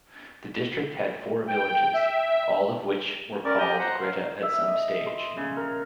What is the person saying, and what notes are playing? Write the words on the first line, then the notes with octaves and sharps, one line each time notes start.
The district had four villages, all of which were called Greta at some stage.
G5
E5
C#4 A#4 D5
G4 D#5 G6
C5 F#5 A#5
F5
E5
D#5
C6
C#3
A#4